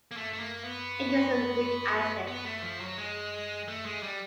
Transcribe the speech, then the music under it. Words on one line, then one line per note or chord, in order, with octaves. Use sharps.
It is a weak acid.
A#3
A3
A3
A#3
B3
B3
A3
F3
F#3
G#3
A3
G#3
G3